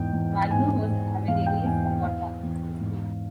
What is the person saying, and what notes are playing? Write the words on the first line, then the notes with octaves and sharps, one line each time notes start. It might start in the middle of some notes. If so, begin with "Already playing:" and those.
Wagner was Avenarius' godfather.
Already playing: E2 G#2 G5
E2
G#2 G#5
G#2
E2 F5
G5
E2 G#5
G5
E2 F5
E2
G#2